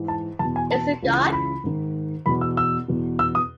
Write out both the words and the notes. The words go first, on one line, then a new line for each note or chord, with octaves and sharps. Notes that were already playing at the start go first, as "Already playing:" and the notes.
Is it God?
Already playing: G#2 E3
A5
E2 B2 A5
G#5
A5
C#2 C#3 E3
B5
G#2 D#3
E2 B2 B5
E6
E6
E2 B2
E6
D#6